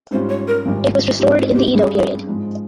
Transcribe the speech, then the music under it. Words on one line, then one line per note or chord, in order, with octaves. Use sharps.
It was restored in the Edo period.
G#2 G3 C#4 F4 C5
C#5
A#4
G#1 G2 F3
G#2 F3 C4 D#4 G4
F4
G4
G2 G3 C#4 G#4
G#2 F3 G#3